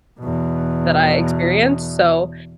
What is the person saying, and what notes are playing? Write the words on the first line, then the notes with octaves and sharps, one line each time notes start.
that I experienced. So,
E2 B2